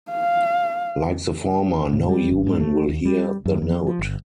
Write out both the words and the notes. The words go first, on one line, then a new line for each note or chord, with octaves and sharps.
Like the former, no human will hear the note.
F5
A2
G3
G#1
G#2
A3
D#2
G3
F#2
F2
F3
G1